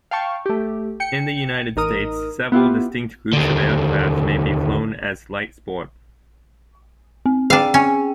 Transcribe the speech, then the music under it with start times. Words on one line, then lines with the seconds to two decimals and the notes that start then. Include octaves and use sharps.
In the United States, several distinct groups of aircraft may be flown as light-sport.
0.11 F5 G5 A5 C#6
0.46 A3 G4
1.00 G5 C#7
1.76 A1 D#4 A#4 D#6
2.52 B3 E4 F4 G4
3.33 D#2 D3
7.26 C4
7.50 D4 G#4 F5 G5
7.74 C#4